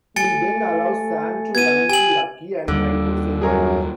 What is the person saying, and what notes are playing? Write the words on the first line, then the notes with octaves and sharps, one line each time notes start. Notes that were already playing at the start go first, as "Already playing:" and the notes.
He then allows Sam to run to Lucky and try to save him.
A3 G#5 A6 C#7
B3 G#6 D#7
G4 G#5 F#7
D#2 D3 G3
F#2 G#4 A#4 C#5